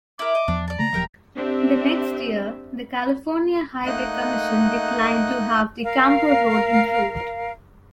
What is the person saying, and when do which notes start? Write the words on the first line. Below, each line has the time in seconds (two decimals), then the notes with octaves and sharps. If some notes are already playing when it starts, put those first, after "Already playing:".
The next year, the California Highway Commission declined to have the Campo road improved.
0.19 E4 A#4 D6
0.35 D#5
0.48 E2 F3 D4
0.68 D5 A5
0.79 C#3 A3 A#3 A#5
0.93 D#1 F3 F#3 G4 A#4 E5
1.35 C4 D4 G4 E5
3.86 A3 A#3 D#4 D#5 F#5 F#6
5.82 A#4 F5